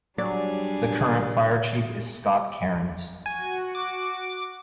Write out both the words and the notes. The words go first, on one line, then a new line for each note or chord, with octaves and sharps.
The current Fire Chief is Scott Cairns.
F#3 G3 D4 G#4 D5
F#4 G#5
D6